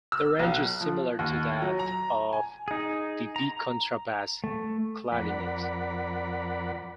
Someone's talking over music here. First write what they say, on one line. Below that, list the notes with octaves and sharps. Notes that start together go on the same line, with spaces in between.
The range is similar to that of the B contrabass clarinet.
E6
B1
F#6
F3
D#2
F#3
A#5
G#5
D#4 G#4
A#5
A3
F2 A#4 D5 F#5 B5